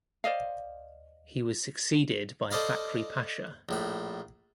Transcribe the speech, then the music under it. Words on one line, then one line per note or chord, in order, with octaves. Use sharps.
He was succeeded by Fakhri Pasha.
C5 D5 D#5 F5
A4 C5 D5 D#5 F5 B5
A#1 A2 B5